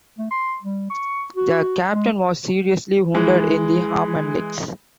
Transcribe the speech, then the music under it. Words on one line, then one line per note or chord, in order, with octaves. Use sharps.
The captain was seriously wounded in the arm and legs.
A3
C6
G3
C#6
F#4
G#3
E3 G#3